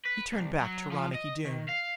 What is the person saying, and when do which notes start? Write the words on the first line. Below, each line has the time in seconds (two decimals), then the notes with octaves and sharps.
He turned back to Ronicky Doone.
0.05 B4
0.32 C2
0.60 F#3
0.91 F3
1.14 D#5
1.45 D#3
1.68 F5